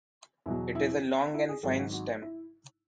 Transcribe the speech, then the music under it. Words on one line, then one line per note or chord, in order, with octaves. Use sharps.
It is a long and fine stem.
E2 B2 F#3 E4
E4
E4
G#4
G#1 G#2 F#3 A4
F#4
F#4
E4